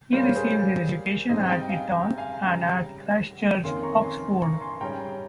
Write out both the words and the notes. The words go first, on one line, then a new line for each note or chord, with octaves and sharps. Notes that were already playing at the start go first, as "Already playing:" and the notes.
He received his education at Eton and at Christ Church, Oxford.
A#2 G3 A#3 C#4 C5
C#5
G#4 C5
G#2 G3 C4 C5 D#5
D#5 G5
F5 G#5
G5 A#5
F5 G#5
C#3 G3 C#4 G5 A#5
F2 D#3 A#3 C#4 G#5 C6
A#5 C#6
G#5 C6
A#5 C#6
G#5 C6
G#2 G3 C#4 G5 A#5